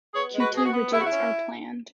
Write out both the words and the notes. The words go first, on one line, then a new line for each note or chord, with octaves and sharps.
Qt widgets are planned.
B3 G#4 C#5
G#3
F#4 B4
B2 G#4
F#4
B3
E2 E4
F#4
C#4 E4